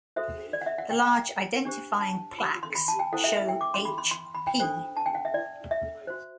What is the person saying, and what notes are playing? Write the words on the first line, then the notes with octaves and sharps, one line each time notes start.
The large identifying plaques show "H P".
F#4 A4 C5 E5
D5
F#5
E5
F#5
G5
D4 G4 C5
A5
B5
C6
C6
B5
A5
G5
E4 A4 C5 F#5
E5
E5
G5
D6
C6
B5
C6
C6
B5
G5
D4 A4 C5 G5
A5
G5
F#5
E5
D5
E5
F#4 C5